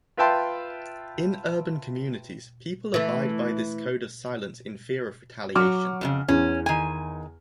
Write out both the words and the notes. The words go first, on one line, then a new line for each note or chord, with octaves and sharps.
In urban communities, people abide by this code of silence in fear of retaliation.
F4 B4 E5 G5 A5 C6
E3 A3
F#3 F#4 D6 F6
F2 A2 C#3
E2 C#4
D#3 G#5